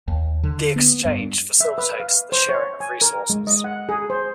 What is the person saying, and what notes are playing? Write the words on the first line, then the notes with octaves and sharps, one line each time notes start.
The Exchange facilitates the sharing of resources.
D#2
D3
B3
G2
E5
B4
F5
C5
C#5
G#5
A#4
G#3
D#5
F#5
G#4
C5